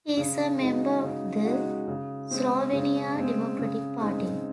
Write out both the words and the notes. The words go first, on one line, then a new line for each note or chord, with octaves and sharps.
He is a member of the Slovenian Democratic Party.
C#3
G#3 D#4 F#4
C#3
G#3 D#4 F#4
C#3
G#3 C4
C#3
G#3 C4
C#3
G#3 C4 D#4